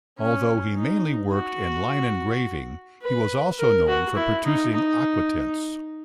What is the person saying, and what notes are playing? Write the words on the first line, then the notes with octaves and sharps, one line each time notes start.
Although he mainly worked in line engraving, he was also known for producing aquatints.
C#4
D#4
F#4
B4
A#4
F#4
E4
D#4
D#4